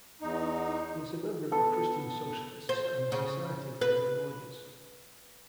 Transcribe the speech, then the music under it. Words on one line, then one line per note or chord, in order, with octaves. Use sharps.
He is a member of the Christian Socialists and the Society of Labour Lawyers.
E2 D#4
B3 A4
C5
C#3
B4